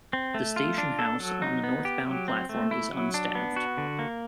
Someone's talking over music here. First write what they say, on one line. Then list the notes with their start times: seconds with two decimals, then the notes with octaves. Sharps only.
The station house on the northbound platform is unstaffed.
0.13 C4
0.34 A3
0.56 F4
0.78 D4
0.99 A4
1.20 F#3
1.42 D#4
1.64 B3
1.85 G4
2.06 F#3
2.28 C4
2.49 A3
2.71 E4
2.92 F#3
3.14 D4
3.35 B3
3.56 F#4
3.78 D3
3.99 A#3